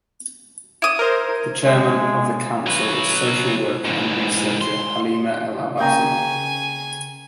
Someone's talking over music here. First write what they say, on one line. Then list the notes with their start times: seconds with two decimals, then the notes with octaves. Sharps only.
The chairman of the council is social worker and researcher Halima El Abassi.
0.82 E4 D#6
0.99 A#4 C5
1.63 G#3
2.66 F#3 B4
3.85 G#2 E3
4.61 C6
5.80 C#3 A#3 G5 G#5 A#5